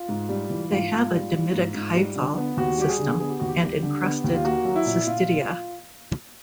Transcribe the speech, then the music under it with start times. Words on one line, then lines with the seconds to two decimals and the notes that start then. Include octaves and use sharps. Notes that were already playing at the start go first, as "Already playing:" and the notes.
They have a dimitic hyphal system and encrusted cystidia.
Already playing: F4
0.09 G#2
0.29 G3
0.50 E3
0.70 G#2 F4
0.92 G#2
1.12 G3
1.33 E3
1.53 G#2
1.74 G#2
1.95 G3
2.16 D3
2.37 B3
2.57 D#2 F#4
2.78 G3 G4
2.89 G#4
2.99 D3
3.20 B3 G#4
3.29 G4
3.40 D#2 F#4
3.48 G4
3.61 G3
3.82 D3
4.02 B3
4.24 D#2
4.34 F4
4.45 A#3 F#4
4.65 F#3
4.76 E4
4.86 A#2
5.07 A#2 F4